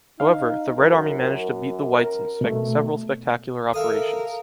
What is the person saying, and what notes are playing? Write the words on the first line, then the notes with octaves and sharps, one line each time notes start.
However, the Red Army managed to beat the Whites in several spectacular operations.
D#4 F5
F#2 A#4
A#4
B2 A3
A4 A#4 E5 F5 D#6